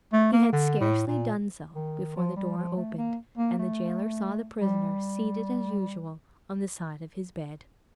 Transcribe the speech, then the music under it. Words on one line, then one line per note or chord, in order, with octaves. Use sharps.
He had scarcely done so before the door opened, and the jailer saw the prisoner seated as usual on the side of his bed.
A3
A#3
D3
A2
A#2
D#3
F3
G3
F3
A3
A#3
A#3
A3
G3